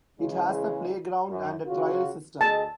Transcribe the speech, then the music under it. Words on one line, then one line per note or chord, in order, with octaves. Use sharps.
It has a playground and a trail system.
C#3 E3 G#3
F#2
C#3 F4 F#4
D2 G#4 D#5 A5